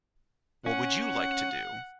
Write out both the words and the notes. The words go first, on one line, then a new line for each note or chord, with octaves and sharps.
What would you like to do?
C#4 F#5
F#5